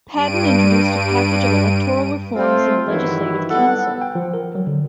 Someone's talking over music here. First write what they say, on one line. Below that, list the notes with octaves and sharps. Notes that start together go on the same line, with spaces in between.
Patten introduced a package of electoral reforms in the Legislative Council.
G2 D7 D#7
A3 C4 F4
G2 D#3 E3 F#3 E4
G3 B3 A4 F#5
G5
F3
A#4
F#3
D3